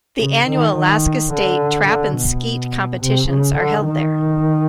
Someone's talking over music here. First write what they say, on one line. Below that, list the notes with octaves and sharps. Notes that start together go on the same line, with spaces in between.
The annual Alaska State Trap and Skeet competitions are held there.
C#3
D#3
D#3
D3
D3
B2
C3
C#3
D3
D#3